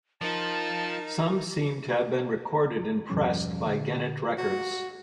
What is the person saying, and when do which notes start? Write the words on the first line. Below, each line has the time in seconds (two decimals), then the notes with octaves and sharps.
Some seem to have been recorded and pressed by Gennett Records.
0.21 F3 D#4 F4 A#4 A5
3.10 E2 G2 B2 F3 G3 C#4
3.66 A#2 D3
4.38 F#4